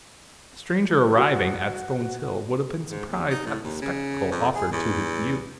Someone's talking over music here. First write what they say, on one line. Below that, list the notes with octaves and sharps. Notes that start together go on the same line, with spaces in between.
A stranger arriving at Stones Hill would have been surprised at the spectacle offered to his view.
F#4
G#2
D#2
D#4
A2
D#2
C#3
F2
G#4
E2